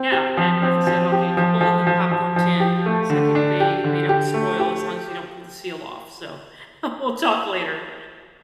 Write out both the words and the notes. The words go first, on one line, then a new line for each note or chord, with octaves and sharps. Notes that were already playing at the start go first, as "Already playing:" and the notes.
Yeah, and like I said, I'll get you a couple of them popcorn tins, I think they they don't spoil as long as you don't pull the seal off. So we'll talk later.
Already playing: C4
G4
F3
C4
F3
G4
F3
F3
F3
F3
F3
G4
A3
D3
D4
G4
D3
G4
A3
G4